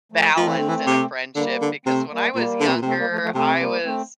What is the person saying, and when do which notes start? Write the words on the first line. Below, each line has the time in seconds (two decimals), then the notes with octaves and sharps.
balance in a friendship because when I was younger, I was
0.12 F3 A3
0.37 F3 A3 C4
0.48 E3
0.58 D3
0.69 E3
0.87 C3
1.36 D3 G3 A#3
1.62 D3
1.86 C3 A3 C4
2.11 G3 A#3
2.35 A#2 G3 A#3
2.60 D3
2.68 C3
2.76 A#2
2.82 C3 A3 C4
2.97 G3 A#3
3.10 F3 A3
3.22 F3 A3
3.35 C3 A3 C4
3.60 G3 A#3
3.85 A3 C4